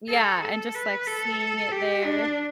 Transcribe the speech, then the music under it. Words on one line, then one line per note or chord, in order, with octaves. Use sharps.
Yeah, and just like seeing it there.
A4
A4
B4
A4
G4
D4